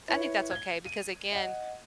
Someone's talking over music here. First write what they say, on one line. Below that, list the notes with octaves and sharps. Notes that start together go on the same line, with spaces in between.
I think that's okay, because again,
E4 B4 C#5
G#6 G7
D#7
D#5 F#5